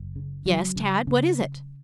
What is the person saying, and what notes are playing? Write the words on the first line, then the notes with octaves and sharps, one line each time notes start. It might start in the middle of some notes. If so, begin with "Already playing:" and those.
"Yes, Tad; what is it?"
Already playing: F#1
C#3
C#3 F#3
C#3
C#3